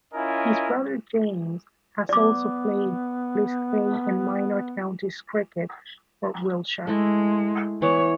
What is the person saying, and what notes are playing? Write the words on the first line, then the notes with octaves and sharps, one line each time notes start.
His brother, James, has also played List A and Minor Counties cricket for Wiltshire.
C#4 E4 F4 A#4 D#5 G#5
B3 D5 D6
G#3 A3 E4
E3 B3 C#5